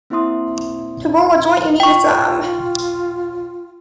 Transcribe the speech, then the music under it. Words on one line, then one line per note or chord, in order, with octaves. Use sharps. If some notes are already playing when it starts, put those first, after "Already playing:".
To roll a joint you need a thumb.
A#3 C4 E4 E5 C6 D#6
F4 G5 C#6